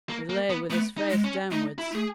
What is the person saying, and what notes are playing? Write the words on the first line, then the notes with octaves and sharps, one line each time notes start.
He lay with his face downwards.
A#3
A#3
B3
A3 B3
D#4
G#3
C#4
A3 D#4
E4
A3 G#4